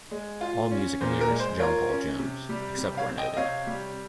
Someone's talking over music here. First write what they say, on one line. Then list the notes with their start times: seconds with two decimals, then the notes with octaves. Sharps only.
All music and lyrics John Paul Jones, except where noted.
0.11 G#3
0.41 F4
0.71 C#4
1.01 A#2 C5
1.21 A#4
1.30 G#3
1.40 C5
1.59 F4 A#4 C#5
1.89 C#4
2.19 C3
2.49 G3
2.78 C3
2.97 C#5 F5
3.08 C4
3.18 D#5 G5
3.33 D#5
3.37 C3 C#5 F5
3.67 G3